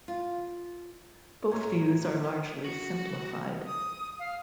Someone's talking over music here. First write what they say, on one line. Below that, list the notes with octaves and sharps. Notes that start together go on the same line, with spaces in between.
Both views are largely simplified.
F4
A2 C#5 A#5 C6
F#4
D#6
F5